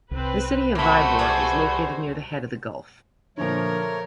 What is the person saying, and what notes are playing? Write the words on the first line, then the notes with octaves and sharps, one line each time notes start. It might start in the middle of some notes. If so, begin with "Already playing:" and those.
The city of Vyborg is located near the head of the gulf.
C2 C4 B4
G3 A3 A#3 F#4 C5 B5
G#4 B4 D5
A#2 D3 F3 A3 A#4 C#5